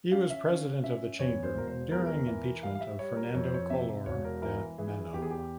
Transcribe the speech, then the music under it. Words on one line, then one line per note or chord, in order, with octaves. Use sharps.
He was president of the chamber during the impeachment of Fernando Collor de Mello.
C#4 F5
E5
C#4 F5
C#4 E5
E2 C#5
C5
E1 A#4
C5
E2 A#4
G#4
A#4
E3
G3 F5
F5
E5
G3 C#5
A#4
F2 C#5
C5
C#5
C3 E5
E1 C#5
A#4
E3 A#4
E3 G#4
E2 G4
G#4
G4